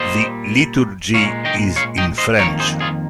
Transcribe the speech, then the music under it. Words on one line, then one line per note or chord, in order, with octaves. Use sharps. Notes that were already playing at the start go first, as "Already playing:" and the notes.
The liturgy is in French.
Already playing: A#2 G3 A#3 C5 D#5
A#2 G#3 C#5 F5
D#5 G5
C#5 F5
D#5 G5
C5 D#5
F2 D#3 A#3 A#4 C#5
G#4 C5
F4 G#4